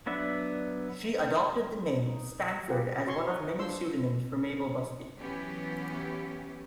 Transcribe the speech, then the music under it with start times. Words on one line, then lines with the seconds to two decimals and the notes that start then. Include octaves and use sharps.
She adopted the name Stanford as one of many pseudonyms for Mabel Busby.
0.06 F#3 B3 D4 E5
2.06 D#4
2.68 F4 G4 G#4 A#4 F#5
3.07 F#4 C#5 G#5 C6 C#6
3.27 C#5 D#5 F#5 A#5 C#6
3.58 D4 F4 C5 C6 E6
5.18 E3 F#3 B3 C#4 E4 G4